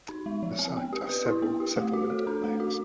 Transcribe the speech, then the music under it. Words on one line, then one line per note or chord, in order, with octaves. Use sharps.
The site has several settlement layers.
D#4
G#3
F3
C4
B3
G4
B4
E4
B3
G4
A3
F#4
A4
D4
A3
F#4